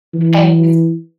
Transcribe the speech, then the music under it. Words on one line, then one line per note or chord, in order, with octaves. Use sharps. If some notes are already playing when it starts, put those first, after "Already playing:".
and it was
E3